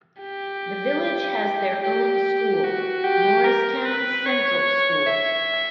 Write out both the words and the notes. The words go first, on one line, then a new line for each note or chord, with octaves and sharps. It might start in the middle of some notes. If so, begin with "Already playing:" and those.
The village has their own school, Morristown Central School.
G4
G4
F#4
G4
A#4
B4
C#5
E5